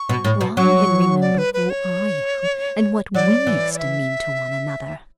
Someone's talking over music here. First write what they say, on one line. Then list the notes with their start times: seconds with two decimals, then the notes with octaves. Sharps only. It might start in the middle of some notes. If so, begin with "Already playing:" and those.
Try and remember who I am and what we used to mean to one another.
Already playing: C#6
0.09 B2
0.24 A2
0.41 B2
0.57 F#3 C#6
1.21 D5
1.38 B4
1.54 B4
1.70 C#5
3.14 F#3 D5
3.47 E3
3.74 D5
3.79 E5